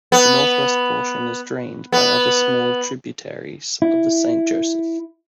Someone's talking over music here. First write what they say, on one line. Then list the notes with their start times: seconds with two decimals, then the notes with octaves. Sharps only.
The northwest portion is drained by other small tributaries of the Saint Joseph.
0.12 B3
1.92 B3
3.82 E4